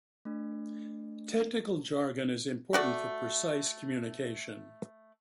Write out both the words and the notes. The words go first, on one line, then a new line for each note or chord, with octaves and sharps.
Technical jargon is important for precise communication.
A3 D4
A3 F#4 D5